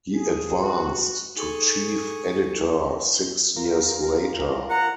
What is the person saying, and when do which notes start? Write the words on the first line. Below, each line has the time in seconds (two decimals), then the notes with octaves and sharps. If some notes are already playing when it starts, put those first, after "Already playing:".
He advanced to chief editor six years later.
0.17 G#4
0.62 F#4
1.36 D#4 G#4 A4 C#6
3.57 F4 A#4
4.70 F#5 A#5